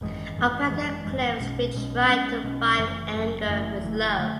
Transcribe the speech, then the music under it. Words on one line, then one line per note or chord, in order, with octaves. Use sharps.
Opelka claims to be trying to fight anger with love.
G#1 F#2 E3 G#3
G#1 F#2 E3 G#3
G#1 F#2 E3 G#3
G#1 F#2 E3 G#3
B1 B2 G#3 C#4
B1 B2 G#3 C#4
B1 B2 G#3 C#4
B1 B2 G#3 C#4
F#1 F#2 E3 A3
F#1 F#2 E3 A3
F#1 F#2 E3 A3
F#1 F#2 E3 A3
D3 A3